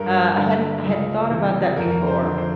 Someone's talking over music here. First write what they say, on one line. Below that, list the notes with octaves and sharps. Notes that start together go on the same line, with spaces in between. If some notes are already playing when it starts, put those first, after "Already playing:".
Uh, I hadn't I hadn't thought about that before.
Already playing: G2 A#4
D3
C#2
C3 E3
F2 A#4
C5
D3
C5